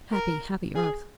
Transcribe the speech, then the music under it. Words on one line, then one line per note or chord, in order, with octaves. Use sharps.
Happy, happy earth!
A#4
G#4